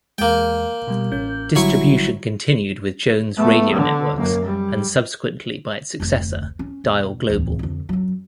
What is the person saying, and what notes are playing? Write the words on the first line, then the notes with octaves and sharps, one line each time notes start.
Distribution continued with Jones Radio Networks and subsequently by its successor, Dial Global.
E2 G#3 A#3 G5
B2 G3
A1 C#4 G6
G#1 D3 F#3 G3 E4 C#6
A3 B3
D3
F#2 A#3
G3
F1 D2
C#4
E1
D1 E2
F2 D3
F#2 F#3